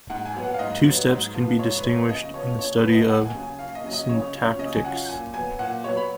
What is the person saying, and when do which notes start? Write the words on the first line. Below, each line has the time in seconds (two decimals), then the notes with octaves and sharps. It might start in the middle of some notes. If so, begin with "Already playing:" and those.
Two steps can be distinguished in the study of syntactics.
0.10 G#2 F#5
0.26 G#5
0.34 F#3 B3
0.43 F#5
0.54 F5
0.59 G#2 D#5
0.84 F#3 B3
1.09 G#2
1.34 F3 B3 F4
1.59 G#2 C#5
1.78 B4
1.84 F3 B3 F4 C#5
2.09 C#3 D#5
2.34 F3 B3 C#5
2.59 C#3 C#5
2.76 B4
2.85 F3 B3
2.93 D#5
3.09 D#2 F#5
3.26 G#5
3.34 C#3 F#3
3.43 G#5
3.59 D#2 F5
3.75 D#5
3.84 C#3 F#3
3.93 D#5
4.09 C#3 C#5
4.34 F#3 C#4 F4
4.59 C#3 D#5
4.73 G#5
4.85 F#3 C#4 F4 F#5
5.09 A#2 G#5
5.34 F#3 B3 G#5
5.59 A#2 F#5
5.84 F#3 B3 C#5
5.97 B5